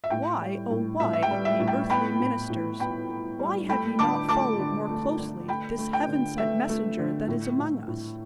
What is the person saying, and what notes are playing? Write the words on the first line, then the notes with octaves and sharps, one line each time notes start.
Why, oh why, ye earthly ministers, why have ye not followed more closely this heaven-sent messenger that is among us?
E5
A2 G5
G3
A2
A2 E5
E5
G5
G3
E5
A2
G5
B3 G5 B5
A2
A2
B3 G5 B5
B3
G3
A3 G5 B5
D3 A5 D6
A3 A5 D6
D3
A3
D3
A3 G5 B5
A3
G5
D3
A3 E5
A3
D3
A2
A2
A2